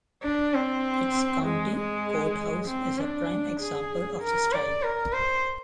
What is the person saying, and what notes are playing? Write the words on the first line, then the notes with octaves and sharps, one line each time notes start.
Its County Courthouse is a prime example of the style.
D4
C4
G#3
G#3
C4
D4
G#4
A#4
D5
A#4
C5